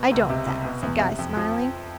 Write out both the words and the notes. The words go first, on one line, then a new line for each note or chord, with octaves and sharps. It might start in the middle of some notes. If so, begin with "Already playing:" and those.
'I don't, then,' said Guy, smiling.
Already playing: B2
C#2
C3
C2
B2
E2
C3
F2
F3